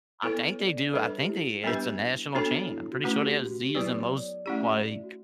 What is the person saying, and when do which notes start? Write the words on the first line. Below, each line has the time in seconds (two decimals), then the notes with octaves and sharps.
I think they do, I think they it's a national chain, I'm pretty sure they have Zea’s in most, like,
0.23 B3 E4 A4 B4 C#5
0.59 D5
0.93 G3 D4 A4 B4 C#5
1.05 B4
1.18 G4
1.29 E4
1.63 G3 B3 D4 G4 B4
2.34 B3 D4 F#4 A4 C#5
2.69 E4
2.81 E4
2.92 F#4
3.04 A3 C#4 E4 F#4 B4
3.22 G4
3.39 F#4
3.51 F#4
3.63 G4
3.75 F#3 B3 E4 G4 B4 D5
3.86 B4
3.98 C#5
4.10 D5
4.45 A3 C#4 E4 G4 D5
4.57 E5
4.69 E5
4.80 D5
4.92 E4
5.03 F#4